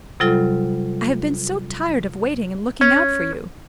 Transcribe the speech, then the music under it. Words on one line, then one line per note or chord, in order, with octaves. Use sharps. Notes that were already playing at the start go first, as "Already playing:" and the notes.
I have been so tired of waiting and looking out for you.
C3 F#3 G3 F4 A4
C#4